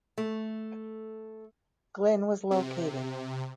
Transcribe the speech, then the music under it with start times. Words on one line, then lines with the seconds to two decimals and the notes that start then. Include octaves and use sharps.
Glynn was located.
0.18 A3
2.51 C3